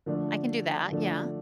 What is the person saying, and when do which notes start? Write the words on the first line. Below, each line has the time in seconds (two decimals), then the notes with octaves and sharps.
I can do that, yeah.
0.06 D3 F3 A3 D4
0.91 D3 F3 A3 D4